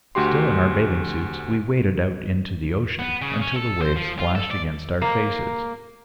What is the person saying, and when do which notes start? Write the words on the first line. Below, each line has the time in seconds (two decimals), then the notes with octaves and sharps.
Still in our bathing suits we waded out into the ocean, until the waves splashed against our faces.
0.15 D2 F#4 G4 C6
2.99 B3
3.22 C#3
3.41 C#4
3.56 A4
3.82 C5
3.96 F3
4.19 F4
4.35 A4
4.51 D5
5.02 A#3